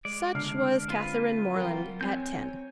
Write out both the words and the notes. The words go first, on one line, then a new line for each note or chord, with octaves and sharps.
Such was Catherine Morland at ten.
G#3 D5
D3 F6 C7
C4 F4 B4
F#3 A#4 G5
C4 C#5 G#5 G6